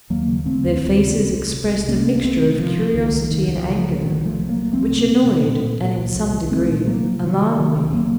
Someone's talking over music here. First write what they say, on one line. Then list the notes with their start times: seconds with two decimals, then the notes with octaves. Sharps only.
Their faces expressed a mixture of curiosity and anger, which annoyed and in some degree alarmed me.
0.10 D#2 F#3 A#3
0.28 C#3
0.45 C#3 A3 C4
0.64 D#2
0.81 D#2
1.00 C#3
1.17 C2
1.34 C3
1.53 C2
1.70 C2
1.88 C3 A#3 C#4
2.06 C2
2.15 A#3
2.23 C2 A3 C4
2.41 C3
2.59 C#3 F3
2.77 C#2
2.94 C#2 D#3
3.12 C#2
3.31 C#2 D#3
3.48 C#2
3.55 F3
3.66 C#3
3.78 F3
3.85 C#3
4.01 C2 D#3 F#3
4.19 C2
4.25 F3 A3
4.37 C3
4.49 F#3 A#3
4.56 C2
4.73 C2 A3 C4
4.91 C3
5.09 C3
5.26 C3
5.44 A#2
5.62 A#2
5.80 A#2
5.97 C2
6.15 C2
6.33 C2
6.50 C2 A3 C4
6.69 A#2
6.86 C3 F#3 A#3
7.04 C3
7.22 C3 D#3 F#3
7.40 C3
7.58 C3 D#3 F#3
7.75 C2
7.93 C3 F#3 A#3